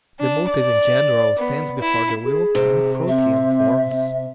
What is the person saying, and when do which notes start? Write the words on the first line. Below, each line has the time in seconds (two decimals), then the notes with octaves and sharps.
The motive in general stands before the will in protean forms.
0.20 D4
0.49 D5
1.39 B3
1.80 E4
2.25 G#4
2.55 C3
3.08 C4 E5